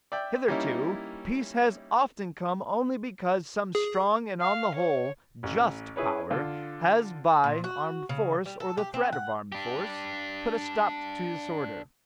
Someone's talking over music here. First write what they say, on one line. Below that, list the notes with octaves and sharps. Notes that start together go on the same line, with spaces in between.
Hitherto peace has often come only because some strong and on the whole just power has by armed force, or the threat of armed force, put a stop to disorder.
D5 E5 G5
G3 A#3 C#4 D#4 E4
G#4
F5
C#5
A1
C#4 E4 G#4 B4 C#5
D3 F4
A#2
F#4
C#3
G3
A4
G4
C4
F#5
D4 G4